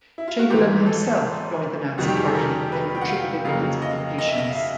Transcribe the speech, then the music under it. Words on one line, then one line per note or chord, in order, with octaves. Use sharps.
Chamberlain himself joined the Nazi Party and contributed to its publications.
E4
F4
F#4
G#1 G#2 E3 G4
A4
F2 C3 D#3 G3 F#4
G4
G#4
A4
A#4
B4
G5
F#5
F5
F2 C#3 F#3 A#3 F5
D#5
D#5
E5
D#5
F5
E5